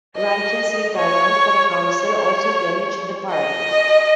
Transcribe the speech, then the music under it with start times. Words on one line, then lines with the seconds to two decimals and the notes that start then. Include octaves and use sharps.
Rankin's retirement from council also damaged the party.
0.17 D#5
0.95 C#5
1.74 C#5
3.31 D#5